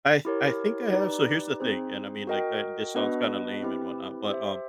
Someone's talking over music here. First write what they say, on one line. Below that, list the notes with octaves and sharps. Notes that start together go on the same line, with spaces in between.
I th I think I have so, here's the thing and I mean, like and, this sounds kinda lame, and whatnot, but, um,
E4 G4 A#4 C#5
D#4 G4 B4 D5
C4 D#4 G#4 C5
F#4 A#4 D#5 G5
B3 D4 F#4 B4 D#5
C4 E4 G4 B4
G4 C5 E5